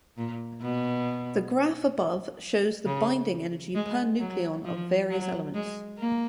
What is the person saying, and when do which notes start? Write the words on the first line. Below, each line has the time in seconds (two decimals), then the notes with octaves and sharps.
The graph above shows the binding energy per nucleon of various elements.
0.18 A#2
0.61 B2
2.86 C#3
3.75 G#3
4.20 F#3
4.65 F3
5.10 F#3
5.54 G#3
5.98 A#3